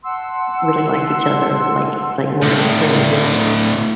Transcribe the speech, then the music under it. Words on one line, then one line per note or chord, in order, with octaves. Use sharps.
really liked each other like like more than a friend, you know?
F#5 A5 C6 E6
D2 A2